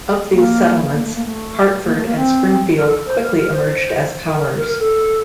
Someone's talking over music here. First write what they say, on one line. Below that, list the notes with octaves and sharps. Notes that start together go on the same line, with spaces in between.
Of these settlements, Hartford and Springfield quickly emerged as powers.
A#3
A#3
A3
A#3
A3
A#3
A3
A#3
C4
A#4
A4
C5
A#4
A#4
C5
A#4
A#4
A#4
A#4
A4